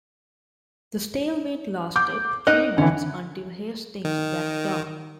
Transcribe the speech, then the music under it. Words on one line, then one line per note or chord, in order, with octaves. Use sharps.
The stalemate lasted three months until Hastings backed down.
D6 G6
D#4 A#4 D#5 F#6
D3 E3 C#4
D#3